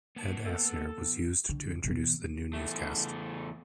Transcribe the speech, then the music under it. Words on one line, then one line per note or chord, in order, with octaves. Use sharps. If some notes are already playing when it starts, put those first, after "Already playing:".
Ed Asner was used to introduce the new newscast.
A#3 B3 A5
A4
B2 F3 B3
D3
B2 E3
E2 A3